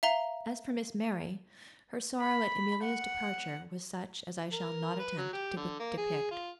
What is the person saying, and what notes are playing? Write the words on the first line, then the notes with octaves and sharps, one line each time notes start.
As for Miss Mary, her sorrow at Amelia's departure was such as I shall not attempt to depict.
E5 F5 A#5 G7
B5
F#5
A#4
B4
F#3
G4
D3
A#3
G#4
F4